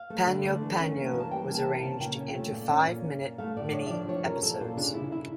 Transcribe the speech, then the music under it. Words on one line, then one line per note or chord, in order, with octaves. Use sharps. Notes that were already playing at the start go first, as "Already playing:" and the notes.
Panyo Panyo was arranged into five-minute mini episodes.
Already playing: F5
A3
D3
A3
E3
C#4
A#3
E3
A5
G3 G5
A#3
A5
C#3
A5
C#3
A#2 G5
C#4
A3
A#2
C#4
A#2
C#4
A#2
A3 F5
A2 D5
D4 C#5
E5
F3 D5
F3 C#5
C#4 A#4
A#2 A4
A#2 F4
C#3 D4
C#3 E4
C#3 E4